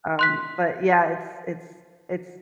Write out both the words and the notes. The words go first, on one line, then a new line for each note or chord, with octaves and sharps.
um, but yeah, it's it's it's
C6 F#6 B6